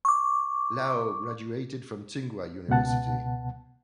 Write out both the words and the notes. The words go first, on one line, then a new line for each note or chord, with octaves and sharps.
Lao graduated from Tsinghua University.
C#6 D6
C#2 B2 B3 F#5 A5